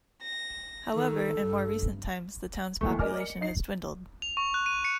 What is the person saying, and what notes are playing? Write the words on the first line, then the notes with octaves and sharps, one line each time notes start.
However, in more recent times the town's population has dwindled.
A#6
D#3 A4
G2
D#2 E3 A3
A#4 D5 D#5 G#5 D6 F6
C#7
D#4 C7
F7
C#6
F#6
D#7
C#7